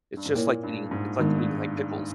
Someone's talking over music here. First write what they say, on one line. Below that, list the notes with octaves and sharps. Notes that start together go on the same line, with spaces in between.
It's just like eating, it's, like, eating, like, pickles.
G2
G#2
A#2 A#3 E4 A#4 C#5
G2
G#2
G2 D#3 G#3 B3 D#4 A#4
G2